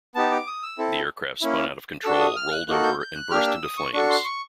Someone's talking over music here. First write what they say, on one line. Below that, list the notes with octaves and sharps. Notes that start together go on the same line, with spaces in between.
The aircraft spun out of control, rolled over, and burst into flames.
B3 D#4 G4 A5
D6
D#6
E6
C4 E4 A4
A#3 C#4 E4
D4 F#4 A4 E6
D#6
F6
F#6
A#3 D#4 F#4 A4 F#6
G6
G6
F#6
A#3 D4 G4 F6
E6
D#6
C#6
D4 F#4 A4 C#6
C6
C#6